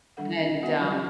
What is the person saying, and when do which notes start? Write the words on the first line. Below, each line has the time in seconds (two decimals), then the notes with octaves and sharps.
and um
0.17 D#3 G3 D4 A4 F#5
0.41 C#4
0.62 B3 F#4 D#5 E5 F#5
0.78 F#3 G3 D4 F4 F#4
0.90 F#3 G4